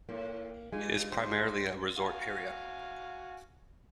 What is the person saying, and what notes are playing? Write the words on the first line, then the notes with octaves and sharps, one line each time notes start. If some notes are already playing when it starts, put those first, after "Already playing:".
It is primarily a resort area.
A2 A#3
G2 G#3 F4 G#5
C5
F#4 F5 G#5